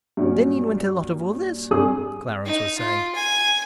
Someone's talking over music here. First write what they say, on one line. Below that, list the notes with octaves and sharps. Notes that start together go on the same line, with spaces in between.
"Then in went a lot of others," Clarence was saying.
G2 A#2 F#3 C#4
G#1 G2 G4 G#4 D#6
D#4
F4
G#5